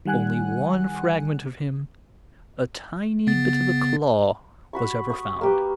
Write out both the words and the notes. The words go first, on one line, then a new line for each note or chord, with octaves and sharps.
Only one fragment of him, a tiny bit of a claw, was ever found.
D#3 G3 F#5 G#5 F#6
C#3 B3 A6
F#4 B5 C#6
C#6 D#6
A#3 G4 B4